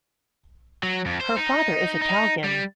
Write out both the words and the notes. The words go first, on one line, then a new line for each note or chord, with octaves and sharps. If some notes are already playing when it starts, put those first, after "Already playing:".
Her father is Italian.
F#3
F2
C5
D#4
D#4
G3